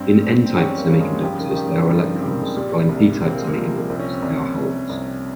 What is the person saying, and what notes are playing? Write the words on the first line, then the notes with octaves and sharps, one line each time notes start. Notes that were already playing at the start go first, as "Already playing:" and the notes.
In n-type semiconductors they are electrons, while in p-type semiconductors they are holes.
Already playing: G2 C4
G2
C4
C#4 G4
A#3
G2 A#3
G#3
G3
F3 G4
C#3
D#3
D#3
C#3 G4
D#3
G2 F3
C4
G4
A#3
G#3
A#2 G3
C2
C2 C4
A#3
G#3
A#3
F3
C2 C4
C#4
C4
C2
C2
C2